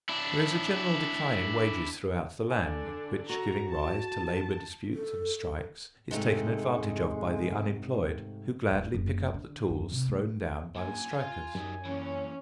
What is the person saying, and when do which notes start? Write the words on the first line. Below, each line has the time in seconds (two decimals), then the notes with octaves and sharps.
There is a general decline in wages throughout the land, which, giving rise to labour disputes and strikes, is taken advantage of by the unemployed, who gladly pick up the tools thrown down by the strikers.
0.09 D4 E4
2.50 D3 D4 G#5
3.29 F#4 A4 A#5
3.69 A5
4.94 A4
6.11 G#2 C3 G#3 A3
8.71 D#1
8.94 F#1
9.34 D3
9.70 F#2
9.92 C3
10.08 A3
10.76 F#2 A#2 G#5
11.11 F4 F5
11.55 F#2 G3 D#4
11.85 A#2 E3 C#4